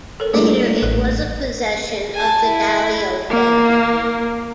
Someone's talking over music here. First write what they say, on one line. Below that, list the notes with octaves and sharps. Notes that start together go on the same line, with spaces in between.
Later it was a possession of the Gallio family.
A4 A#4 C#5
G3 A3 A#3 D4 G#4
A1 B4
G#5 A5
E4
A#3